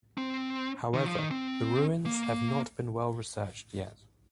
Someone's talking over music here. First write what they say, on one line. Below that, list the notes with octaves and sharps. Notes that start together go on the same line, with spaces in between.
However, the ruins have not been well researched yet.
C4
D#3
F3
D#3
C4
A#3